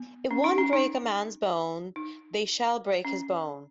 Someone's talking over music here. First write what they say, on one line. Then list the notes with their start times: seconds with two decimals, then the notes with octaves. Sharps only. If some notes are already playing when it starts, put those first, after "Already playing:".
If one break a man's bone, they shall break his bone.
Already playing: B3
0.31 C#4
0.44 D#4
0.58 C#4
0.73 D#4
1.96 D#4
3.05 C#4